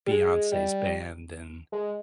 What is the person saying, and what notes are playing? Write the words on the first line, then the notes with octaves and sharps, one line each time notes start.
Beyonce's band and
G3
G#3
G3
G#3